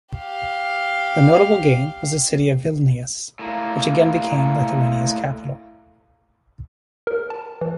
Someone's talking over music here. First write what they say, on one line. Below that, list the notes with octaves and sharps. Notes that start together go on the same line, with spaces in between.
The notable gain was the city of Vilnius, which again became Lithuania's capital.
G4 F5
A2 A#3
A#4
A5
E3